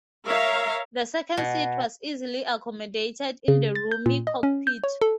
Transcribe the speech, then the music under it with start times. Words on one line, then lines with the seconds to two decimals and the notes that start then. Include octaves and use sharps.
The second seat was easily accommodated in the roomy cockpit.
0.25 A#4 C#5 E5 F5 A#5
1.37 B2
3.48 C#3
3.75 A6
3.92 G6
4.06 A#2
4.27 D#5
4.43 C#4
4.67 G6
4.84 C#5
5.02 A4